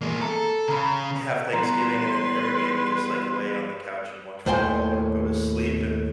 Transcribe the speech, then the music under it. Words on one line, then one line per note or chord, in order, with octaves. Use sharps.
have Thanksgiving, and then everybody would just, like, lay on the couch and watch football or go to sleep, and
E3 A#3 G#4
A4 A#5
C#3 A#5 B5
E3 G3 B3 B4 A#5 C6
D#2 A2 C5 G5 G#5 C6